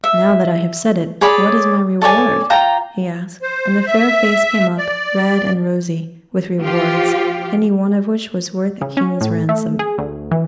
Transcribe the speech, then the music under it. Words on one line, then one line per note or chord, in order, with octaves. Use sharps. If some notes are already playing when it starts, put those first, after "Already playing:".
"Now that I have said it, what is my reward?" he asked--and the fair face came up, red and rosy, with "rewards," any one of which was worth a king's ransom.
E5
G#4 C#5 D5 B5
A4 C#5 D5 G#5
F4 G5 A#5
C5
E5
D5
F3 F4 G4
C#3
C#4
A2
A3
G#4
D2
E3